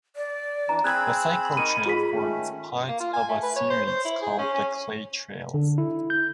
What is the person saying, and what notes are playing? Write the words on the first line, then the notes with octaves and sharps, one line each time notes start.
The cycle trail forms part of a series called the Clay Trails.
D5
E3 D4 A#5
C4 G#4 B5 E6 F#6 G#6
D#4 A#4 C#6 D#7
G#2 G#3 F4 G#4 B6
D#3 A3 C#4
A#3
F4
G#5
A3
B4
C#5
C5
C5
E4
G#4
C#4
C#4
D3
E4
G6